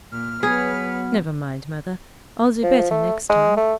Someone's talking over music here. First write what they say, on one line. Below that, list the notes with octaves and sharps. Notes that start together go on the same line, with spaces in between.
'Never mind, Mother; I'll do better next time.'
A#2 F6
F#3 B3 G#4 B4 C#5
F3
A3
G#3
A3